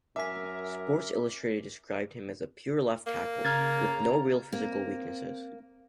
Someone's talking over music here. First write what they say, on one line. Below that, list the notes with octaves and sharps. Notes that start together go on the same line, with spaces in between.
"Sports Illustrated" described him as "a pure left tackle" with "no real physical weaknesses".
F#2 A#4 E5 G#5 D6 B6
A#3
C#3 A#5 F6 G#6 A6
A#3 C4